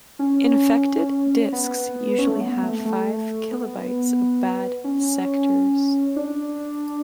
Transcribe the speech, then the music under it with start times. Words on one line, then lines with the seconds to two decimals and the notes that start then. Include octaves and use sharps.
Infected disks usually have five kilobytes of bad sectors.
0.19 C#4
1.52 B3
2.18 C#4
2.29 A3
2.41 B3
2.63 A3
2.85 A3
3.51 B3
4.84 C#4
6.16 D4